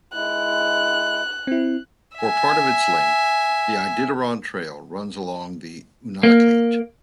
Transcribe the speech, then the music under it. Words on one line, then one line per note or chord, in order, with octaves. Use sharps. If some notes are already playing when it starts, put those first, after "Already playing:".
For part of its length, the Iditarod Trail runs along the Unalakleet.
G#3 E4 F#6
C4 E4
E5 G#5
A#3